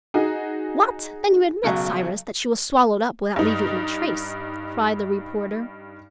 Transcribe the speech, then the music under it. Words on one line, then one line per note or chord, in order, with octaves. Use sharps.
"What! then you admit, Cyrus, that she was swallowed up without leaving any trace?" cried the reporter.
D#4 F#4 G#4
B1 C#3 F#3
G2 D#4